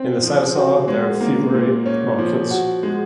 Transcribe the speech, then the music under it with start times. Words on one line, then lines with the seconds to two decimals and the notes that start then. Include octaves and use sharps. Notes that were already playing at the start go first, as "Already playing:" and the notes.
In the cytosol there are fumarate molecules.
Already playing: C4
0.23 F3
0.55 F#4
0.88 G#3
1.21 A#3
1.54 A#2
1.86 C#4
2.18 F3
2.51 F#4
2.83 G#3